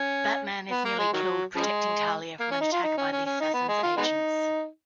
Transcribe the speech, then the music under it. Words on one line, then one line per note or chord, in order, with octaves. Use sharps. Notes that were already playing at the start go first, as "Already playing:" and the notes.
Batman is nearly killed protecting Talia from an attack by the assassin's agents.
Already playing: C#4
B3
A#3
G#3
D#3 F#3
C#3 F3 G#3
A#3
C#4
D#4
F4
D#4
C#4
C#4
C#4
D#4
B3
G#3
F4
G#3 B3 D#4